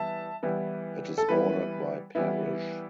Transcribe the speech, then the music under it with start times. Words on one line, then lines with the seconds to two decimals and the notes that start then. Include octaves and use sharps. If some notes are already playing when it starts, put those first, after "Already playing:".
It is ordered by parish.
Already playing: E3 G3 B3 E4 E5 A5
0.43 E3 G3 B3 E4
1.18 A4
1.29 E3 G3 B3 E4 B4
2.15 E3 G3 B3 E4